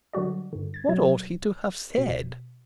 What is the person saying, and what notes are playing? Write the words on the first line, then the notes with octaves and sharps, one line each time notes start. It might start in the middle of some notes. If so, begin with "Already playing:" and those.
What ought he to have SAID?
D3 F#3 G3 F#4 D5
G2 D3
G#6 A6
B2 F#3 G#6
B2 B6